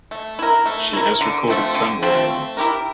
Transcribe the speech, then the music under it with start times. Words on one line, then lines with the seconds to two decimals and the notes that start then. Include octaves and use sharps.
She has recorded some audiobooks.
0.11 A3
0.39 E4 A#4
0.66 A3
0.93 E4 A#4
1.21 D3
1.48 F3 A3 C4
1.75 D3
2.02 F3 A3 C4
2.30 A3
2.57 E4 G4 A#4